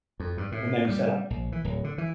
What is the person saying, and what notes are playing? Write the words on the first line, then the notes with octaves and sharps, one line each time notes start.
and then you said I
F2
G2
A2
G3
A#1
E3
D1
D3
E3